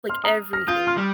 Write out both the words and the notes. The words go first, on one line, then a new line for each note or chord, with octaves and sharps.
Like, everything.
C6 F6
A#5 D#6
F6 A#6
F4 D#6 G6
C6 F6
G3